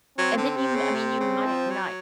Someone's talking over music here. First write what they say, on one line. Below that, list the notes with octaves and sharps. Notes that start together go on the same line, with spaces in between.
and then you m I mean, you might not
F#3 C4
D3
C3
C#3
C3
C#3
F3
F#3